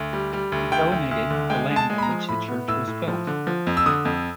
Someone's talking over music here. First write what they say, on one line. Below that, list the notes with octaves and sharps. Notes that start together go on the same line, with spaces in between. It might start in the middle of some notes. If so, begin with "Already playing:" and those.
He donated the land on which the church was built.
Already playing: D2
G3
G3
D2
D2 G5
D2
D2
D3
G#3 G5
G#3
A5
G#3
B5
A#5
F3
A2 B5
B3
A2 E6
A2
F3
D3
F3
F2
E6
D3 D#6
F2